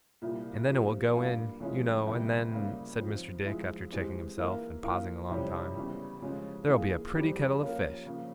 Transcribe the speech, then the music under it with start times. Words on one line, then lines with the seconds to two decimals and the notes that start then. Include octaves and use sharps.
And then it will go in, you know--and then--' said Mr. Dick, after checking himself, and pausing a long time, 'there'll be a pretty kettle of fish!'
0.22 C2 A#2 G3 A#3 F4
0.68 A#2 F3 C4 G4
1.14 G2 G3 A#3 F4
1.60 C#3 F3 G#3 C#4 E4
2.06 E2 C3 G3 C4
2.52 C#3 G3 A#3
2.99 G#2 F3 C4
3.45 F3 G#3 E4
3.91 E3 G#3 C4 G4
4.37 E3 A#3 E4 A#4
4.83 E3 A#3 F4 A#4
5.29 F2 C3 E3 G3 C#4
5.75 E2 C#3 E3 G3
6.22 C#3 F3 G#3 C#4
6.68 E3 A#3 F4 G#4
7.14 F2 E3 G3 C4 G4
7.60 F3 A#3 C#4 F4 A#4
8.06 C#3 F3 A#3